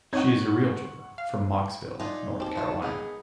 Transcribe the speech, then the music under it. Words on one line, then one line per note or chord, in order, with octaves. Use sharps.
She is a realtor from Mocksville, North Carolina.
C4 D#4 C#5 F#5 C#6 G#6
F5
D4 D#4 F4 G#4
C4 G4 A5
A3 F4 F#4
B3 D#4 G#4 A#4